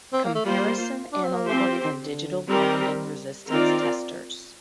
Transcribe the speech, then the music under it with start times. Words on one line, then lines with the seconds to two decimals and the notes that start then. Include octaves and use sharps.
Comparison analog and digital grounding resistance testers.
0.13 C4
0.24 A#3
0.35 A3
0.44 G3 A#3 F4 C5
1.12 D4
1.24 C4
1.35 A#3
1.47 A3 C4 G4 C5
1.60 G3
1.72 F3
1.84 D#3
1.98 D3
2.49 G3 C4 G4 A#4
3.50 D#3 C4 F4 A#4 D5